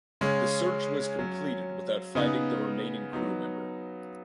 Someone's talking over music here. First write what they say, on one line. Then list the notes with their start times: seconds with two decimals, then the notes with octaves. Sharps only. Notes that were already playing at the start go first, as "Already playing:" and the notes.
The search was completed without finding the remaining crew member.
0.21 C#3 G#3 C#4
1.19 F#3 C#4
2.15 C#3 B3 D#4
3.13 F#3 B3 D#4